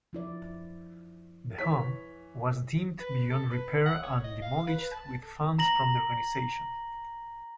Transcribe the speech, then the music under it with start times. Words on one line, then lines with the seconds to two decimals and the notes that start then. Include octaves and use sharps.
The home was deemed beyond repair and demolished with funds from the organization.
0.13 F3 E4 D5
1.59 E3 C#5 B6
3.00 B4
3.30 A4
3.51 B4
3.86 F#5
4.03 C#5
4.24 D#5
4.42 F5
4.67 B4
4.79 B4
4.91 A5
5.22 A4
5.59 A#5 A#6 F#7